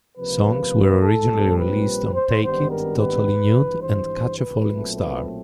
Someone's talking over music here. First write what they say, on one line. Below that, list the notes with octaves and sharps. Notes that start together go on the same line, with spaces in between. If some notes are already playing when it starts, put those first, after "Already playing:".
Songs were originally released on "Take It", "Totally Nude", and "Catch a Falling Star".
C#2 C3 F3 A#3 B4
A4
A#1 A#2 G3 C4
B4
C5
G#1 G2 D#3 G3 B3 C5
A#4
B4
G#1 G2 E3
C5
B4
B1 A#2 F#3 A3 C4
B4